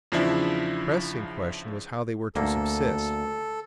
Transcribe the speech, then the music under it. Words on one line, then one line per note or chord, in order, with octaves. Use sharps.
The pressing question was how they were to subsist.
E2 C#3 F3 D4 E4 E5
D2 A#3 A4